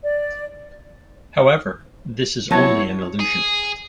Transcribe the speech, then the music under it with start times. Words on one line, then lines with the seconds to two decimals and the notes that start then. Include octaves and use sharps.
However, this is only an illusion.
0.04 D5
2.51 F#3 B3 E4 C#5 A5 G#6
3.20 G#4